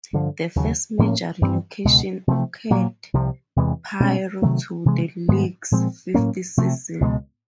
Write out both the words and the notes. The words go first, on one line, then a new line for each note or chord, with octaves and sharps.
The first major relocation occurred prior to the league's fifth season.
G2 D3 F3
D#2 C#3 F#3
A2 F3 A#3 C#4
G2 E3 G3 C4
C#2 B2 G#3
C3 F3 A3
A#2 F#3 A#3
C2 C3 F3
E2 C3 E3 G#3
B2 G#3 C#4
C3 D#3 F#3 A3
C3 E3 G#3
G#2 D#3 G#3 B3
A#2 F3 G#3 C4
A2 F#3 A#3 C#4
C3 F3 A3
C#2 B2 G#3